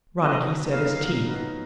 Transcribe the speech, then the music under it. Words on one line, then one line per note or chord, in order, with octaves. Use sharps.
Ronicky set his teeth.
F#3 B3 D#4 D#5
F#3 B3 D#4 F5
F#3 B3 D#4